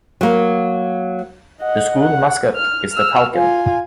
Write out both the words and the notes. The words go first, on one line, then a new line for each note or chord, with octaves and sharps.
The school mascot is the Falcon.
F#3 A#3
D#5 F#5
F#5
F6
E6 F6
F4 G#5